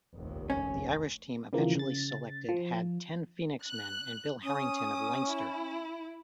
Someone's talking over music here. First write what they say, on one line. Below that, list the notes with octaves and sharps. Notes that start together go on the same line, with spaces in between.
The Irish team eventually selected had ten Phoenix men and Bill Harrington of Leinster.
F1 A#1 D#2
C#4
C#3 E3 F3 A#3
C#3 A6
F3
F#6
C#4 D#6
E4